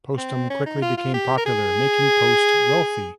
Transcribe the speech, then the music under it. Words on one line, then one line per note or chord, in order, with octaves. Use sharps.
Postum quickly became popular, making Post wealthy.
C4
C#4
D#4
F4
F4
G4
A#4
G#4